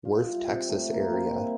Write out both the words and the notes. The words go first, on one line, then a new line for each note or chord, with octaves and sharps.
Worth, Texas area.
G3 F4
E4
G3
C4
A2 A3
A#3
G3
C4
G3 E4